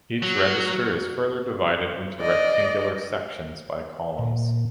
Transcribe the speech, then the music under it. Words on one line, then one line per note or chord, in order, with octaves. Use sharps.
Each register is further divided into rectangular sections by columns.
F#3 F#4
D5 D#5
A#2